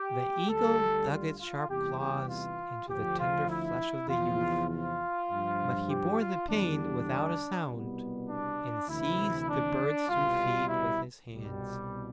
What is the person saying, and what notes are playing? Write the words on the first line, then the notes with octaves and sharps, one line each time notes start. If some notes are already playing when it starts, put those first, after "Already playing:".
The eagle dug its sharp claws into the tender flesh of the youth, but he bore the pain without a sound, and seized the bird's two feet with his hands.
Already playing: G4
D2 D3 G3 A4
F4
F4
E2 C3 E3 G3 G4
G4
F4
D2 D3 F3 G4
F4
E4
E2 C3 F3 F4
F4
G2 F3
G4
F4
E2 D3 G3 D4
C2 B2 G3 B3
D4
D2 C3 E3 E4
D4
C2 B2 G3 F4
E4
C2 B2 G3